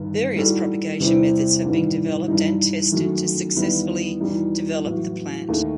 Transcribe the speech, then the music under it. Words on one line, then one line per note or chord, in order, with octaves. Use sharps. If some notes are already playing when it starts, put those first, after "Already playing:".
Various propagation methods have been developed and tested to successfully develop the plant.
Already playing: G1 G2 D#3
A2 G3 D#4 F#4 A4
E2 C3 E3 G3 C4
A1 G2 D#3 G3
G2 E3 G3 D#4
F#2 D#3 F#3 A3
E2 D#3 G3 B3 E4
E2 B2 G3 D#4
A1 A2 F#3
D#2 D#3 A3 D#4